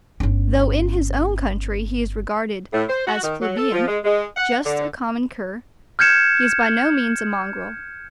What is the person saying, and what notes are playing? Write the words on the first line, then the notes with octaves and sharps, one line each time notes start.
Though in his own country he is regarded as plebeian, just a common cur, he is by no means a mongrel.
G1 C#4
A2
C5
F#4
D#3
F#3
A4
F3
G#3
G#3
F#5
D3
F6 G6 G#6 C#7 E7